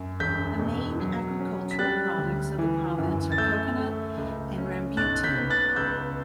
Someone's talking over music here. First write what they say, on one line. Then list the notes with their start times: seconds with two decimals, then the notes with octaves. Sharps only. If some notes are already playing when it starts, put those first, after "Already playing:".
The main agricultural products of the province are coconut and rambutan.
Already playing: F#2
0.20 E1 G6 B6
0.59 B2
0.99 F#3
1.40 C#4
1.71 B6
1.79 G3 F#6 A6
2.18 D2
2.58 E3
2.99 F#2
3.32 A6
3.38 A3 E6 G6
3.78 A3
4.18 C#2
4.58 C#4
4.97 B1 F#6 A6
5.24 G6 B6
5.36 B3
5.50 F#6 A6
5.76 C#2 E6 G6